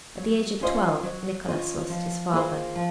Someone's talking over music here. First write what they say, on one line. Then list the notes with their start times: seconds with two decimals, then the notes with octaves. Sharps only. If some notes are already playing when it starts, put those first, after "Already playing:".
At the age of twelve Nickolas lost his father.
0.17 F#3
0.61 C#4 F4 C5 D#5
1.03 F#3
1.46 C#4 F4 C5 D#5
1.90 F3
2.33 A#3 F4 G#4 C5
2.76 F3